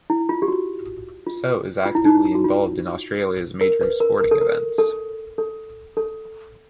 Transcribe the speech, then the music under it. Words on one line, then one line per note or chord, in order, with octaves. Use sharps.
So is actively involved in Australia's major sporting events.
E4
F4
G4
F#4
F4
F4
E4
D#4
E4
F#4
F4
A#4
B4
A#4
A#4
A4
A#4
A4
A4
A4